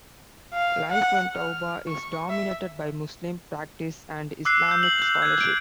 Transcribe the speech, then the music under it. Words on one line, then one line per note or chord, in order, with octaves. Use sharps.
Life in Touba is dominated by Muslim practice and Islamic scholarship.
F5
F#5
F6
C#6
E5
D6 E6 F#6 C7
E6 G6
F#7
G6
F#6 G#6
F#6 D7